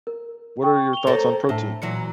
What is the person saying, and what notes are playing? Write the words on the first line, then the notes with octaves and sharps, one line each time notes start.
What are your thoughts on protein?
A#4
G5 C#6
F7 G7
A#3 C4 A4 C#5
A2 D4 E5 A5
A#2 E3 F#3 C#7